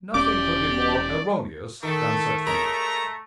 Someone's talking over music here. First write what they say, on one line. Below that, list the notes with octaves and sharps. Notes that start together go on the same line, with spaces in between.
Nothing could be more erroneous than such views.
E1 C#4 G4 D5 D6
D#3 A3 A4
G#3 A#4 C#5 A#5